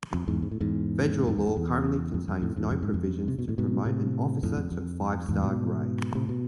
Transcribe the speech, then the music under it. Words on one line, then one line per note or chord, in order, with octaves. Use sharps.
Federal law currently contains no provisions to promote an officer to five-star grade.
F2
E2 G#2
G#2
A2
E2 G#2
F2
E2
F2
E2
F2
F2
F2 A2
E2 G#2
F2
G#2
F2
C3
B2
A2
G#2 B2
A2 C3
F2 A2
F2
F2
E2 G#2
G#2 B2
A2 C3
B2